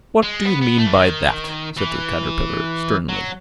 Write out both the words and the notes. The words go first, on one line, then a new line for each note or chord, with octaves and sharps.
'What do you mean by that?' said the Caterpillar sternly.
G#3
B3
B3
A3
E3
D#3
E3
F#3